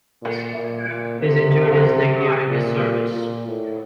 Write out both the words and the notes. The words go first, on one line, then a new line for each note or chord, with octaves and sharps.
His injured his leg during his service.
A#2
A#2
A#2
C3
A#2
A#2
A2